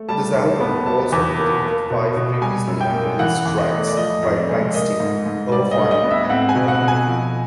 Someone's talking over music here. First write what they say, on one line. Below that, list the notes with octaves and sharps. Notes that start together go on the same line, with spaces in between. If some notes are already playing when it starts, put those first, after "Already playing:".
This album also included five previously unreleased tracks by Planxty, Irvine and Moore.
Already playing: A3
G3 A5
D#2
B3
F#3 A5
E2
A#3
A#3
B2
B2
G3 G#5
F#2
G5
A#3
E3 F#5
E2
D#5
A3
D5
F3 D#5
F2
D5
G#3
A#3 D#5
G#2
G#2
G3 D5
D#5
D2
D#5
B3
E5
C4 F#5
G#5
B2
F#5
B2
G#5
F3